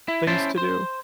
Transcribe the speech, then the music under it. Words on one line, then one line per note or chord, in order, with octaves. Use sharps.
things to do?
E4
C#4 E4 C5 A5 C6
C5